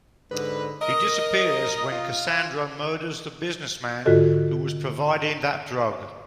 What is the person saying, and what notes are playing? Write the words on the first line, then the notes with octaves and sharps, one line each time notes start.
He disappears when Cassandra murders the businessman who was providing that drug.
G#2 D3 B4
A#4 D#5
F4
G#2 D3 F4 F#4 A4 D#5